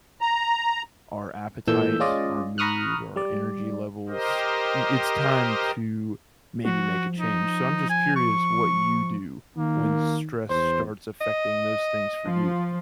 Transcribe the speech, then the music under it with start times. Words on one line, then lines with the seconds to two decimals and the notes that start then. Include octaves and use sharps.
our appetite, our mood, our energy levels, y it's time to maybe make a change. So, I'm just curious what you do when stress starts affecting those things for you?
0.21 A#5
1.67 A#2 E3 A3 E6 G6
2.00 G#3 C#4 F4 D5 D#5
2.58 A#5 B5 C#6 D#6 F6 F#6
3.16 G3 D5
4.09 G4 A#4 C5 D#5
6.65 F3 F#4
7.19 D#4
7.90 G#5
8.16 C#6
9.57 D#3 A#3
10.50 E2 C5
11.21 D#5
12.25 F3